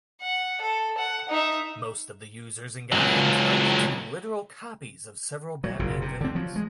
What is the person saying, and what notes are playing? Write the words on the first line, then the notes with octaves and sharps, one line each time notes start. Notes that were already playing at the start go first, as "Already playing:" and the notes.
Most of the users in Gotham turned into literal copies of several Batman villains.
F#5
A4
F#5
D#4 E5
C#2 F#3
F#3
F#1 A#2 C#3
C3
D3 C4
F3 F#3
G#3